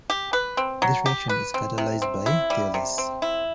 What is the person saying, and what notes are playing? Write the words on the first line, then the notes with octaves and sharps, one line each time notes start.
This reaction is catalyzed by thiolase.
G4
B4
C4
F#3
G4
B4
C4
C3
C4
E4
G3
C3
C4
E4